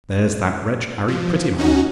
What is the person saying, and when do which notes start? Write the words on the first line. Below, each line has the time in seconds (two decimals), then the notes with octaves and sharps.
There's that wretch Harry Prettyman.
1.08 F3
1.58 C#4 D#4 F#4